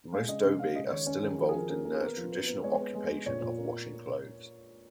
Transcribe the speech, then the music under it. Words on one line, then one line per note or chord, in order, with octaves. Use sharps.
Most Dhobi are still involved in their traditional occupation of washing clothes.
G#3 F5
C#3 D#5
C#3
C#3 F5
G#3 D#5
D#3 C#5
C#4 C#5
D#3 G#4
F3 F#4
G#4
F3 A#4
C#4 A#4
A#3 A#4
G#4
B3 A#4
F3
B3
B3
G#3 C#5
B3
G#3
B3
A#2 C#5
A#2
A#3